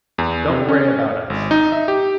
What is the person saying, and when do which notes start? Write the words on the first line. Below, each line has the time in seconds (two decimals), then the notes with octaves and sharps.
Don't worry about us.
0.18 E2
0.50 C3
0.69 C#4
1.30 G#1
1.51 D#4
1.72 E5
1.88 G4